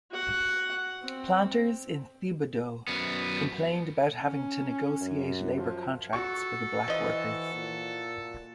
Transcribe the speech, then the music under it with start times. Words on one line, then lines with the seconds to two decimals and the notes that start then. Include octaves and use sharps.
Planters in Thibodaux complained about having to negotiate labor contracts for the black workers.
0.12 F#4 F#5
1.03 C4
2.88 F#2 B3
4.20 C#4
5.01 F#2
5.58 F3
6.13 F#4 A4 C#6
6.88 E3 F3 D#5
7.54 A#2